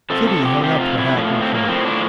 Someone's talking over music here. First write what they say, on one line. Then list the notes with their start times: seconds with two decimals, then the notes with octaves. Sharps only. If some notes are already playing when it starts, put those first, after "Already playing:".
Kitty hung up her hat and coat.
0.10 C3 F3 A4
0.27 A4
0.45 G4
0.63 C3 F3 G4
0.81 F4
0.98 E4
1.16 A2 F3
1.41 C4
1.55 A#3
1.68 A2 F3 C4
1.85 D4